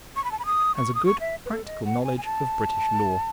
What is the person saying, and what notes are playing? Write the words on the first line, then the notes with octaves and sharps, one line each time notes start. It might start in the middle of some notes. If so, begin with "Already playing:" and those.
Has a good practical knowledge of British law.
C#6
B5
A5
B5
D#6
C#6
D#6
C#6
E5
B4
A4
D#5
F#5
A5
G#5
G#5
A5